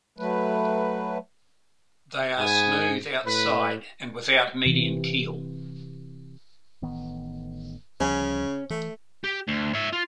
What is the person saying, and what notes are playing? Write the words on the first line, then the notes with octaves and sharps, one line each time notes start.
They are smooth outside and without median keel.
F#3 A3 B4
G#2 B3 G#5
A2 B4
C3 E3
A1 D#3 B3
D2 C#3 F3 G3 C#4
E3 A3
G4
D2
C#5 E5
F4